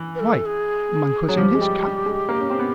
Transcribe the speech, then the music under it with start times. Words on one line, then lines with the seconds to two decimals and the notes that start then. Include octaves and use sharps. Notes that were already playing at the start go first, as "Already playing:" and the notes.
"Why, Monk was in his camp."
Already playing: E3
0.15 B4
0.20 A4
0.46 G#4
1.29 F#3
1.37 F3 G4
1.55 G#3
1.61 G3
1.83 G3
2.06 G#3
2.29 A#3
2.40 C#4
2.50 C4
2.59 B3